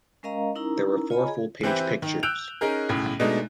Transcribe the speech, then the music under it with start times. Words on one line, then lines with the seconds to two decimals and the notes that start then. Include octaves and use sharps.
There were four full page pictures.
0.23 G#3 C#4 A#4 D#5 F5 A#5
0.55 C#4 D#4 E4 A#4 A#5
1.10 F4 C#5 D#5 G#5 A#5 B5
1.28 G#4
1.63 E3 C4 E4 G4 B4
2.02 D#3
2.23 E6 F#6 G6 D7 F7
2.61 C#4 D#4 G#4 A#4
2.89 B1 A2 C#3
3.20 B2 G#3 A3 D4 D#4